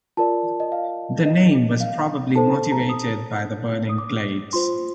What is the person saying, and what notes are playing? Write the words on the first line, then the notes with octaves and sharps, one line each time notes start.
The name was probably motivated by the burning glades.
F4 A#4 D5 A5
D#5
F5
D#5
F5
D#4 A4 C5 A5
A#5
D#6
D#6
D6
F4 C5 C6